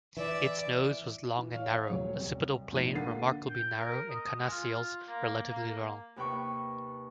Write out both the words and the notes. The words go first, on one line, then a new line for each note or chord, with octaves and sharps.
Its nose was long and narrow, occipital plane remarkably narrow and carnassials relatively long.
E3 D5 E5
E3
C#5 F5
D#1 F#3 C#5
C2
A#1 G#2 D#7
D3 A#3 A4 F#5 A6 C7
G5
A#4
D#5
G#3
F4
A#3
A#3
D#2 C3 B4 E5 G5 C#6